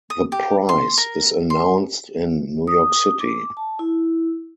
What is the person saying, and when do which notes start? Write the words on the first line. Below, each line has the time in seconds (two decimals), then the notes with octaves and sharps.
The prize is announced in New York City.
0.10 D#6
0.32 G4
0.69 C6
0.98 A#4
1.50 C6
2.67 D#6
3.20 D6
3.57 A5
3.79 E4